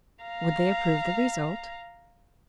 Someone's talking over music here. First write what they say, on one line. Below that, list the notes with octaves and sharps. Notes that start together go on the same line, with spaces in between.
Would they approve the result?
F5 A#5